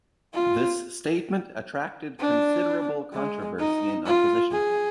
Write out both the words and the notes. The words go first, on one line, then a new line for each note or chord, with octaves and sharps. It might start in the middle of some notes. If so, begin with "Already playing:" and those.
This statement attracted considerable controversy and opposition.
F4
D4
G#3
D#4
F4
G#4